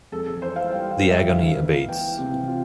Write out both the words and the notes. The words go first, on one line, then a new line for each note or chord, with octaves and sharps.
The agony abates.
F2 A4
A4
E3 C5
F5
G3 G5
F5
G3
E5
D2 F5
B3
E3 G5
C3
F4